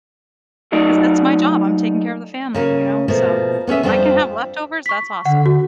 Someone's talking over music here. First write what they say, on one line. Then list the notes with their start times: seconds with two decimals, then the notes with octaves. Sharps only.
because that's my job. I'm taking care of the family, you know, so if I can have leftovers, that's awesome.
0.72 F#3 A3 D#4 D5
2.54 C#3 A#3 C#4
3.08 B2 F3 A3 A#3
3.67 B3 C#4 G#4 E5
3.83 F2 F3 G3 D4 G5
4.86 C#6 B6
5.26 D3 F#5
5.46 F#4